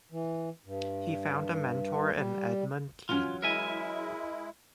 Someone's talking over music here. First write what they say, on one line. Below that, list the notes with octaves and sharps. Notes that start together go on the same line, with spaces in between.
He found a mentor in Edmund Kean.
E3
G2
G3
E3 F#3 C#4 F4
G#3 E4 A#4 E5 G#5